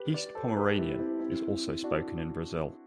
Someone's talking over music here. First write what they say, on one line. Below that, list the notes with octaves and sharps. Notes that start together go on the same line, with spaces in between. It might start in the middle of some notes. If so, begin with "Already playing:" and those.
East Pomeranian is also spoken in Brazil.
Already playing: G4 B4
B4 D5
A4 C5
G4 B4
E4 G4
C4 E4
C4 E4
D4 F#4